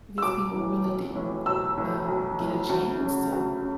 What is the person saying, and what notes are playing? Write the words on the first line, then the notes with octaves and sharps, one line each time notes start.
these people really didn't, um, get a chance to
E6
B1 D6
A2 E3
B1
A2 E3
B1 E6
A2 E3
B1
A2 E3
D2
C#3 F#3
D2
C#3